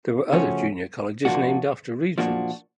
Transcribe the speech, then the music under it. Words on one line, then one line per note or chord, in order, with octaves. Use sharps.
There were other junior colleges named after regions.
C#3 F3 A3 C#4 F#4
A#2 F3 A#3 D4 F#4
A#2 F3 A#3 D4 F#4